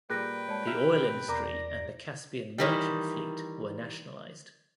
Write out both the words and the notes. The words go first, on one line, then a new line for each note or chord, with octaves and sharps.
The oil industry and the Caspian Merchant Fleet were nationalized.
A#2 G3 G#4 B4 G5 F#6 A#6
G#3 C#5 D5 A5
E4 F4 G4 E5 A#5 F6
B1 C3
E2 A#4 D5 A#5 D6 A#6
D#3 E3 G3